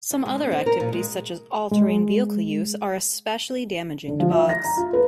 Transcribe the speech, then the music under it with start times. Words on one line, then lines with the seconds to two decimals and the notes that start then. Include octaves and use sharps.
Some other activities, such as all-terrain vehicle use, are especially damaging to bogs.
0.11 D2
0.25 G#3
0.38 C#4
0.51 C4
0.66 A#4
0.80 A#2
0.93 G#3
1.72 G#3
4.08 D3
4.20 F3
4.31 E5
4.49 A#6
4.64 A#5
4.77 F4
4.93 B4